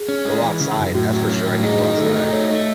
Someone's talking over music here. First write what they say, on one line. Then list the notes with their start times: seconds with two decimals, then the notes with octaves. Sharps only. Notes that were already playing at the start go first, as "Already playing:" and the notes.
Go outside, that's for sure, I need to go outside.
Already playing: G#4
0.08 C#4
0.25 G#3
0.42 E3
0.60 C#3
0.77 F#2
0.94 A2 F#4
1.12 F#3
1.29 C#4
1.46 A2
1.63 D#4 G#4
1.81 D#3 F#4
1.98 A3 A4
2.16 D#4
2.33 A3 C#5
2.50 A3 D#5